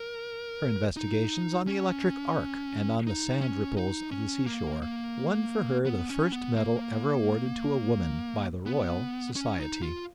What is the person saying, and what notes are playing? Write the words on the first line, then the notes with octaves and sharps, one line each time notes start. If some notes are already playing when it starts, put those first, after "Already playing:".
Her investigations on the electric arc and on the sand ripples of the seashore won for her the first medal ever awarded to a woman by the Royal Society.
Already playing: A#4
D#4
C#4
D#4
C#4
D#4
C#4
A#3
A#3
B3
C#4
B3
A#3
B3
C#4
D#4
F4